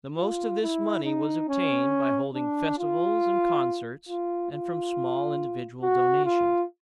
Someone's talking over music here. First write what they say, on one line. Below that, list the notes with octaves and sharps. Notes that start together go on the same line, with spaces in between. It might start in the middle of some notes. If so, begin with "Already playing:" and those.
The most of this money was obtained by holding festivals and concerts, and from small individual donations.
F4
E4
D#4
C#4
D4
F4
F4
F4
F#4
F4